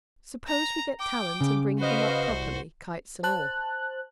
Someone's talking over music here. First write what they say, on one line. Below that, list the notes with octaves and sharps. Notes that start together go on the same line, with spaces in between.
Suppose we get Talent, and bring him up properly, kites and all.
A#5
G5 D6
C#3
F#4 B4 C5 D#5 F5
C2
C5 A5 F#6